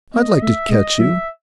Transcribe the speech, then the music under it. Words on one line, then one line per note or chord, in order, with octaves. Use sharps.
I'd like to catch you!
B3 D#5
A3 E5
G#3 D#5
F#3 E5